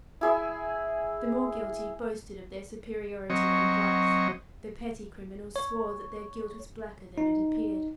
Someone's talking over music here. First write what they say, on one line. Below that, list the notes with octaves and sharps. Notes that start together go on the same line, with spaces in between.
The more guilty boasted of their superiority in vice; the petty criminals swore that their guilt was blacker than it appeared.
E4 G#4 E5
F#3 C4 C#5 D#5
C#5
D#4